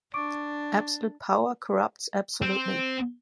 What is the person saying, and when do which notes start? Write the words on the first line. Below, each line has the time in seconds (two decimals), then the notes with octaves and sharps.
Absolute power corrupts absolutely.
0.14 D4 C#6 D6 D7
2.42 C4